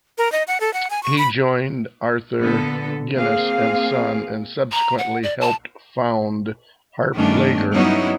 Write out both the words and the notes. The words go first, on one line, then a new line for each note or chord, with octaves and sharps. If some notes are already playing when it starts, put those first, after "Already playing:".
He joined Arthur Guinness and Son and subsequently helped found Harp Lager.
A#4
D#5
F#5
A4
F#5
G#5
C#6
B5
A#2 D3 B3 A4
A#3 C4 G#4 F5
A#5
F#5
D5
A5
G2 D#3 A3 B3 C#4 D4
F#3 G3 B3 C#4 D#4 E4